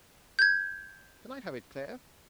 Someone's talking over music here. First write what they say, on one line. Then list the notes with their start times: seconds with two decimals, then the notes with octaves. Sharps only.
Can I have it, Claire?
0.39 G6 G#6